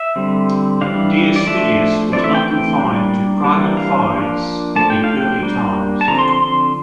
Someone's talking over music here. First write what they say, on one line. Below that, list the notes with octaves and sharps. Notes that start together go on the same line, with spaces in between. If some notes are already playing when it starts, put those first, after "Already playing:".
Dius Fidius was not confined to private "fides" in early times.
Already playing: E5
D3 G3 C4
E3 G3 D4 F5
D5
F3 A3 D4 E5
E3 A3 C4 D5
E5
G5
G5
G3 A#3 D4
E3 G3 A#3 D4
F5
F3 A#3 D4
F3 A3 D4 A5
G5
F5
G5
G3 A#3 D4
A5
D3 F3 C4 A#5
C6
C6
C6